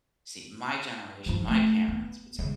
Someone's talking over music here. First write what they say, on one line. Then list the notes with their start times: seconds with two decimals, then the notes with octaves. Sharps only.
see, my generation, my parents would say,
1.26 G2 F3
1.48 A3
1.88 B3
2.39 C#3 G#3